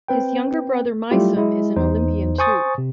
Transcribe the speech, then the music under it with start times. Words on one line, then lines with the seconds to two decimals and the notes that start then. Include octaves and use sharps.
His younger brother Meisam is an Olympian too.
0.08 C4 B4 G5
1.11 F#3 G3 A3 E4 F4 G4
1.37 G#3 E4
1.76 E2 D#4 C5
2.38 C5 G#5 C#6 D#6 A6
2.78 C3